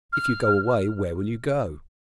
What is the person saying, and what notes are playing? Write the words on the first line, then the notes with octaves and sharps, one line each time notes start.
If you go away, where will you go?
F6